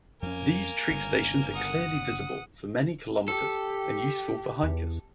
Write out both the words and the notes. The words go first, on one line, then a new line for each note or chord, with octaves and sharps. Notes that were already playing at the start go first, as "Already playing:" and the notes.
These trig stations are clearly visible for many kilometres and useful for hikers.
F2 A#3 C#4 A#4 G#5
G1 C#3
F#5 D#6
G4 A4
E2